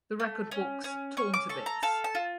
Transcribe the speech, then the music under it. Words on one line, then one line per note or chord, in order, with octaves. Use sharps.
The record books torn to bits.
A3
C#4
C#4
C#4 C#6
D6
A4 C#6
A#5
A4 F5
A5
F4